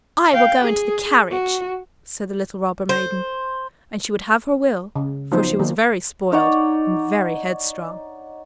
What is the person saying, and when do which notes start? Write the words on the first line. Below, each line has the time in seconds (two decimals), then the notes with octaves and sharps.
"I will go into the carriage," said the little robber maiden; and she would have her will, for she was very spoiled and very headstrong.
0.33 F5 G5
0.61 G#4
1.31 F#4
2.89 C5
4.96 C#3
5.32 F3 F#3 B3 D#4 C5
5.59 D#3 A#3
6.32 D#4 C#5 D5 F#5